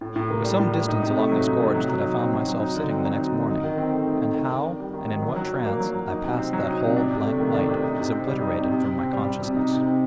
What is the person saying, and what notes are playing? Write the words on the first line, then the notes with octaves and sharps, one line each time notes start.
It was some distance along this gorge that I found myself sitting the next morning: and how, and in what trance, I passed that whole blank night is obliterated from my consciousness.
A2
A2
A#3
G3
A2
A2
D#4
C3
A3
F#3
D#4
C3
F#3
F#3
D#4
C4
F#3
F#3
D#4
D3
C4
F#3
D#4
D3
D#4
D#3
C4
A3
D#4
D#3
D#3
D#3
D4
G3
D#3
D#3
F#3
F#3
D4
A#3
F#3
F#3
D#4
C3
C4
F#3
D#4
C3
D4
C3
A3
D#3
D4
C3
D#4
C3
C4
G3
D#4
C3
C3
C3
C4
G3
C3
C3
D#4
C3
C4